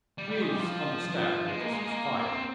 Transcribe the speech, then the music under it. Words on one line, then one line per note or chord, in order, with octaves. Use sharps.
Please understand that this is final.
G3
G3
G#3
G3
F3
F3
G#3
A#3
G#3
A#3
C4